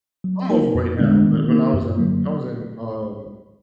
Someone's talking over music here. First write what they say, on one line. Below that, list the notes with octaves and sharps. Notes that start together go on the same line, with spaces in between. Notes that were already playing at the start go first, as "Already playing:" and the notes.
I'm overweight now, but when I was in I was in, um,
F#3
A#3 D#4 A#4
F2
D3 G#3 B3 D4
D#3
A#3 D#4 A#4
F#2
D3 F#3 A#3